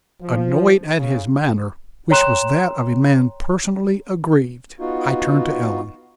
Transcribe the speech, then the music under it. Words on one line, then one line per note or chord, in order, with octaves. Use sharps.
Annoyed at his manner, which was that of a man personally aggrieved, I turned to Ellen.
F3
C#3
C#5 G5 A#5 C6 F#6 E7
B3 D#4 F4 F#4